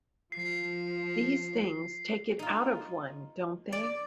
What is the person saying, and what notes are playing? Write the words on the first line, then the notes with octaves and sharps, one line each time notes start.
These things take it out of one, don't they?
F3 C7
D#4 F4
D5